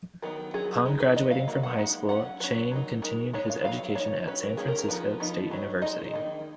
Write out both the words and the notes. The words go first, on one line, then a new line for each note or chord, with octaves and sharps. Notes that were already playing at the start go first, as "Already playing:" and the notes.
Upon graduating from high school, Chang continued his education at San Francisco State University.
D#3 F#3 B3 D#4 A#4
F#3 C#4 G#4
G#3 B3 D#4
B4
F#3 C#4 D#5
F5
F#3 A#3
F#5
G#3 B3 D#4
F#3 C#4 F#5
F#3 C#4 B4
F#3 A#3 D#4
G#3 D#4 A#4
G#3 B3 D#4 C#5
F5
F#3 B3 D#4 F5
F3 A#3 D#4 C#5
F#3 C#4 B4
A#4
D#3 A#3 C#4 G#4
A#4
A#4
F3 B3 D#4 B4
F3 B3 D#4
F#3 C#4
G#3 D#4 D#5
D#3 A#3 D#4